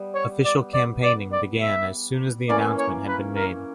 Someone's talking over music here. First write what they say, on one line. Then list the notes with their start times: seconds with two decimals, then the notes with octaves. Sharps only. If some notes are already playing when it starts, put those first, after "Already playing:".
Official campaigning began as soon as the announcement had been made.
Already playing: G3 B3
0.15 C#5
0.45 D5
0.74 D5
1.04 D5
1.32 D5
1.61 E5
2.49 E3 A#3 C#4 D5
2.78 C#5
3.08 B4
3.36 A#4